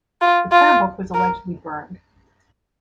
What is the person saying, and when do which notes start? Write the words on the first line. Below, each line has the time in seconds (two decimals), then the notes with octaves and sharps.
The prayer book was allegedly burned.
0.21 F4
0.52 F4
1.14 A#4